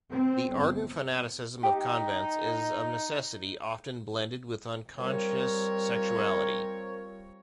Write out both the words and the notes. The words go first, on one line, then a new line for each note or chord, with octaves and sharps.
The ardent fanaticism of convents is of necessity often blended with unconscious sexuality.
C4
G1
D#4 G4
G3 C4 F4 A#4 C#5